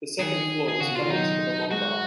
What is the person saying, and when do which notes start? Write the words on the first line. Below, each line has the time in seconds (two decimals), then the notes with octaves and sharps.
The second-floor was famous for the Long Bar.
0.19 D#3 G#4
0.68 G#4
0.80 C#3 F#4
0.89 B2
0.95 D#3 F4
1.10 F#3 D#4
1.71 G#3 F#4